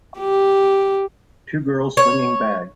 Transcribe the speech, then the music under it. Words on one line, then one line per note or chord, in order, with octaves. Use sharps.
Two girls swinging bags.
G4
C#5